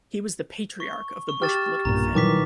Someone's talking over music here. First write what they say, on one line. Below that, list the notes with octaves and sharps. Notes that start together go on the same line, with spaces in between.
He was the patriarch of the Bush political family.
C#6
C#6
G4 F6 A6 E7
B1 G2 A#2 A#5
A#2 D#3 E3 F#3 G3 A5 D6 B6